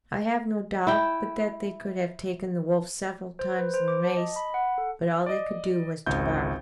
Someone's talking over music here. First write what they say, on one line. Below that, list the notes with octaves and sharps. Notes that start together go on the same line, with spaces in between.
I have no doubt but that they could have taken the wolf several times in the race, but all they could do was to bark.
E4 G5
C5
B4
C5
D6
A5
D#5
B5
F#5
A4
D5 D#5
G#1 C#2 G6